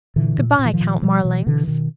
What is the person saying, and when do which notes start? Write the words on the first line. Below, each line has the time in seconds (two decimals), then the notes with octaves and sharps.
"Good-bye, Count Marlanx."
0.16 A#2 D3 E3
0.38 A#2
0.59 A#2
0.65 E3
0.73 D#3 F3
0.81 A#2
1.02 B2 F3 G3
1.24 B2 E3 F#3
1.46 B2 D3 E3
1.68 B2 D#3